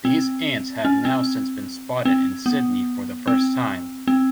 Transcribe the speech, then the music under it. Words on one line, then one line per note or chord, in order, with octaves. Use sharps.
These ants have now since been spotted in Sydney for the first time.
C4
C#4
C4
C4
B3
C4
C4